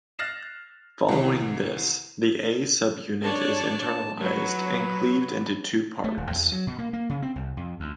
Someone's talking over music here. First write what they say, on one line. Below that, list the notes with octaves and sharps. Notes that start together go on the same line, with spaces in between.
Following this, the A subunit is internalised and cleaved into two parts.
F6 F#6 A6 A#6 C7 E7
C2 C3 D#3 E3
D4 C#5 D5 A5
F#3 B4
A3
D#1
E2
F#3
B2
A#3
A#3
C#3
C4
C2
F2
D2